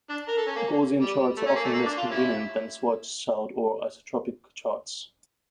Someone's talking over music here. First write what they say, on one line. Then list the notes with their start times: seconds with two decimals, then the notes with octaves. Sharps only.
Gaussian charts are often less convenient than Schwarzschild or isotropic charts.
0.10 D4
0.28 A#4
0.38 A4
0.47 C#4
0.56 A#3
1.01 G3
1.37 A3
1.46 C#4
1.56 A#3
1.65 A3
1.74 A#3
1.86 D4
1.98 F4
2.11 G3 C#4 E4